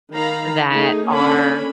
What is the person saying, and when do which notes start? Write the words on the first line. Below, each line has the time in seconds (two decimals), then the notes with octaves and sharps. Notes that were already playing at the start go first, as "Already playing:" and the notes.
that are
0.14 D#3 F5 A#5 B5
0.71 A3 D#4 G#4
1.08 A#3 C#4 D4 A4 B5